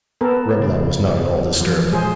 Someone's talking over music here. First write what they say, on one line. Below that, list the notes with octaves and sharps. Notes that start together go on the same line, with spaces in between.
Reblong was not at all disturbed.
B3 A4 A#4
C#3
E3 F3
A#2 G#3 G#4 C5